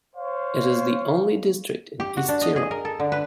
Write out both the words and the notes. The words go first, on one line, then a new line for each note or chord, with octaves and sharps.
It is the only district in East Tyrol.
C5 C#5 F5
G4
F#4
D4
D#5
G#4
A#4
A4
D3
B4